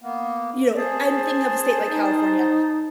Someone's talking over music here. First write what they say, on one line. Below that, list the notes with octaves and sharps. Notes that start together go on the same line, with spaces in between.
you know, I'm thinking of a state like California,
A#3 B3
G#4 C5 A5
D#4